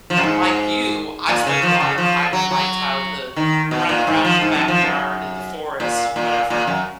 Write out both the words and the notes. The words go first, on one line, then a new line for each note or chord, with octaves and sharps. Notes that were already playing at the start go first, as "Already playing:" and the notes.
like you, I spent a lot of time in my childhood running around in the backyard, in the forest, and whatever.
F3
F#2
G#2
A#2
C#3
F3
C#3
F3
F#3
F#3
D#3
B2
A#2
G#2
F3
G#2
F#2
F3
F#2
A#2
A#2
A#2
F#2